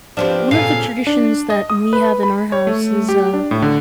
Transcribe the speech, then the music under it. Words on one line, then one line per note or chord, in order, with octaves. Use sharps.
one of the traditions that we have in our house is, uh,
F3 B3 C4 D4 G4
A#2 C#3 B3 A4 F5 G#5
D4
D#5
D#6
B4
B5
C#5
A3
G4
D4
A2
D3